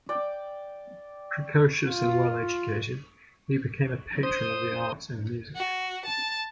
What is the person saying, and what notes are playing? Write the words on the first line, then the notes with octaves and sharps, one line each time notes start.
Precocious and well educated, he became a patron of the arts and music.
D5 G5
F4
C5 D#6
F#4
A5